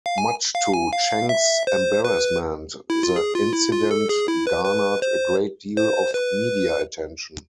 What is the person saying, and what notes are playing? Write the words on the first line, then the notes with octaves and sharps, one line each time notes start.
Much to Cheng's embarrassment, the incident garnered a great deal of media attention.
F5
G#5
F5
G#5
F5
E5
C5
B4
E4
F4
G#4
F4
E4
F4
A4
G#4
E4
B4
B4
C5
C5
B4